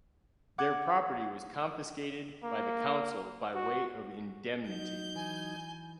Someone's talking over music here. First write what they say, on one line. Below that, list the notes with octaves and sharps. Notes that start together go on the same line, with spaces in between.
Their property was confiscated by the council by way of indemnity.
F#5 D6 F#6 G#6
A#3
F#4
F#3 D#4 G6
E3 G#5